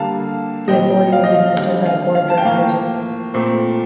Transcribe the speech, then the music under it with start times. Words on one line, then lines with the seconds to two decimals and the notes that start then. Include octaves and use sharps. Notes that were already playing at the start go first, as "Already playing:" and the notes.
The authority was administered by a board of directors.
Already playing: D3 G3 A#3 F5 A5
0.68 A#2 G3 C4 D#5 G5
1.12 F5
1.24 D#5
1.34 F5
1.56 D3 G3 C4
1.86 F5
2.15 F5
2.30 A5
2.38 G5
2.45 A2 F3 A#3 F5
3.34 A#2 A3 C4